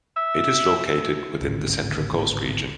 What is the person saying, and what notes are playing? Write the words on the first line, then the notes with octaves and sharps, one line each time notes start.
It is located within the Central Coast region.
E5
G#1 D2 A2 C#3